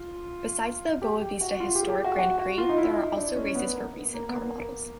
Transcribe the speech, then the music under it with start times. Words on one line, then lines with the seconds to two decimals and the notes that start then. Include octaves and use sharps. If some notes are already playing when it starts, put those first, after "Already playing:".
Besides the Boavista Historic Grand Prix, there are also races for recent car models.
Already playing: F4
1.02 G4
1.21 G4
1.41 F#4
1.60 F4
1.75 G4
1.83 G#4
1.89 G4
2.04 F#4
2.19 F#4
2.38 F#4
2.58 F4
2.69 D#4
2.77 E4
2.96 D#4
3.16 D4
3.36 C#4
3.55 B3
3.75 A#3
4.14 A#3
4.29 B3
4.33 A#3